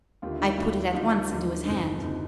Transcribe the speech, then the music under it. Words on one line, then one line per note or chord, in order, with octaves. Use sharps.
I put it at once into his hand.
D#2 D3 F4 G4
E4
D#4 F4
D#2 D3 E4 F#4
D#2 D3 D#4 F4
D#2 D3 D#4
D4
F#1 F2 D3 D#4
F#1 F2 D3 D#4